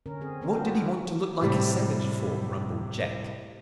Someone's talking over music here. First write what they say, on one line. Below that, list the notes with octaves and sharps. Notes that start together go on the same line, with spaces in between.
"What did he want to look like a savage for?" grumbled Jack.
D3 C#4 A#4
C4 G#4
D#3 B3 C4 D4 A#4 C5
F#3 B3 C#4 F4 G4
F#3 G#3 A4
A2 C3 G3